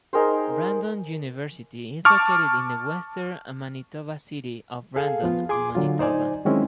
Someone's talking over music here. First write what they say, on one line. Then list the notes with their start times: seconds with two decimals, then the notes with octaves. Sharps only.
Brandon University is located in the Western-Manitoba city of Brandon, Manitoba.
0.13 D#4 G#4 A#4 C5
2.05 A5 C#6 D6 F6
4.96 G#4 A4 F5
5.23 F3 B3 F4
5.49 G#4 G#5 C6 D6
5.75 D3 F#3 F4
5.99 D#4 C5 D5 G#5
6.45 D#3 F#3 G#3 C4 C#4 E4